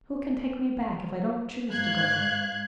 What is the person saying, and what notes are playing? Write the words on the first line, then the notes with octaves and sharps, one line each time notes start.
Who can take me back, if I don't choose to go?
G#2 F5 F#6 G#6